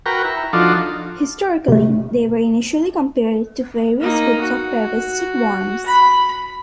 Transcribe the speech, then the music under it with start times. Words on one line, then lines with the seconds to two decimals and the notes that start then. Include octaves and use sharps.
Historically, they were initially compared to various groups of parasitic worms.
0.06 F#4 A#4 B4 G5 A#5 C#6
0.24 E4
0.53 F3 D4 D#4 F4 F#4 A4
1.68 C3 A3
4.00 A#3 D#4
4.40 F#4
5.86 B5